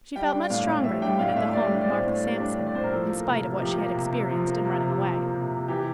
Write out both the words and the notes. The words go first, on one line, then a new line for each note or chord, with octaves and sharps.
She felt much stronger than when at the home of Martha Sampson, in spite of what she had experienced in running away.
G3 G5
D4
A2 F5
A2
G3 E5
D4 G5
A2 F5
A2 E5
G3 D5
D4
D5
A2 C5
A2
G3
D4
A2
D5
A2 C5
A#4
F3 A4
A#3
C3 A#4
C3
F3 G4
A#3
C3
C3
F3
A#3
C3
C3
F3
A#3
C3
C3
E3 G4